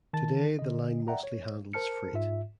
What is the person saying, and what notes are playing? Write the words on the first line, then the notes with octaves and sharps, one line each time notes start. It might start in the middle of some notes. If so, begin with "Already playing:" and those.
Today the line mostly handles freight.
D#3 A5 A6
D3 D#5
D5 E5 F#5 G5 A#5
C#5
A#4 C5 A5 F6 C#7
G#2 F4 E5